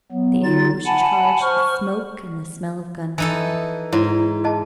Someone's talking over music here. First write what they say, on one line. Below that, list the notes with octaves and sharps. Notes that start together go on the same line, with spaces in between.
The air was charged with smoke and the smell of gunpowder.
F#3 B3
D3 D#4 F4 A6
F#5 G#5 A5 B5
C5 C#6 F6
E3 D#4 A4 G#5
G#2 E4 C#5
G#4 D#5 A5